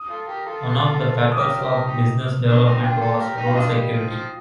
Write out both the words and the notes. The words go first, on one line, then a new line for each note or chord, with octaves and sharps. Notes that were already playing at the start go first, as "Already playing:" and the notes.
One of the factors of business development was road security.
Already playing: D#6
F4 A4
G4 A#4
F4 A4
D#6
G4 A#4 D6
G4 A#4
D#4 G4
A#3 D4
C4 D#4
D4 F4 G5
F4 A4
G4 A#4
D#4 G4
F5
D4 F4 D#5
G3
F3
F3